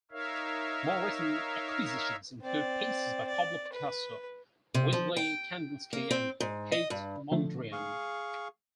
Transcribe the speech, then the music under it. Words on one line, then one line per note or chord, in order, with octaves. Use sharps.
More recent acquisitions include pieces by Pablo Picasso, Wassily Kandinsky and Piet Mondrian.
D#4 A#4 C#5 E5 F5
C4 D5
D5
B4
C3
F3
G5
A#3
C4
G#2
D#5
G2
D3 F3 A3
G#4 F5 C#6